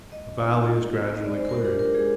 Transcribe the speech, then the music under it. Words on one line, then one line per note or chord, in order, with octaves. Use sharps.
The valley is gradually clearing.
G#3 D#5
C4 D#4
G#3
C4 D#4
D#5
D5
G#3 C5
A#4
D4 F4 G4
A#4
G#3 G#4